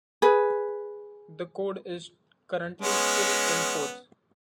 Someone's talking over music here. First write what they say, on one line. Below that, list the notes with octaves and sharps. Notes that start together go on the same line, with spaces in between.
The code is currently still in force.
G#4 B4
G#3 B3 C#4